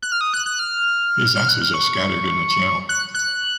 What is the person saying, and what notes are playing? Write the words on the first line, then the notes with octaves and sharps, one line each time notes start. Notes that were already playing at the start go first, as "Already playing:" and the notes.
His ashes are scattered in the Channel.
F#6
F6
D#6
F#6
F#6
F6
F6
F#6
F6
C#6
F#6
F#6